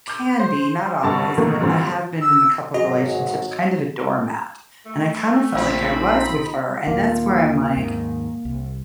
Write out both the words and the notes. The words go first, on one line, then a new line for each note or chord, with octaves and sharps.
can be, not always, but I have been in a couple relationships kind of a doormat, and I kinda felt like I was with her, and that's where I'm like,
D6 G6
C5
G2 D3 A5 C#6
B2 D#3 E3 A3 A#3
G2 A#2 D3 E3 C4
E6
G#1 F#3 F#4 G#4 D#5
A3
A#1 C4 C5 B5
D#4
D#2 A#2 A#3
D#2 G#2 D#3
C2